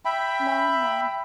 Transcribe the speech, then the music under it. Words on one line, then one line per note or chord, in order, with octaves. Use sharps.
Law no.
E5 G5 B5